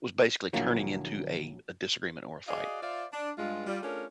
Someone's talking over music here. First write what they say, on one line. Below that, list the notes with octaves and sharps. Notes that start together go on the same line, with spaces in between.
was basically turning into a a disagreement or a fight,
A#1 D3 F#3 A#3 E4
F#4 G#4 D5 D#5 F5
F4 C5 D5 E5 F5
D4
G2 G#3 F4
G3 F4
A3 C#4 D4 F4 G#4 A#4